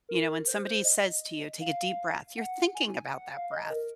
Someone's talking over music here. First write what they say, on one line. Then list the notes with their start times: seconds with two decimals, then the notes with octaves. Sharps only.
You know, when somebody says to you, "Take a deep breath," you're thinking about that breath,
0.09 A#4
0.47 C5
0.84 D#5
1.61 F5
2.37 F#5
2.75 G#5
3.13 F#5
3.32 F5
3.52 D#5
3.70 A#4